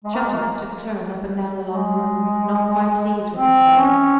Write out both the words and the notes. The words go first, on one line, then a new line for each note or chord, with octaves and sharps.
Shattuck took a turn up and down the long room, not quite at ease with himself.
G#3
A#3
G#3
A#3
G#3
C4
C#4